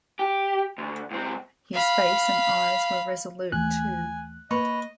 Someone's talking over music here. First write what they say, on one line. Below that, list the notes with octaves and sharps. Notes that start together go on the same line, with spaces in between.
His face and eyes were resolute, too.
G4
D2
C#2 C4
F5 B5
D#2 E3 A3 G#5 F#6
A#3 B4 C#5 D#5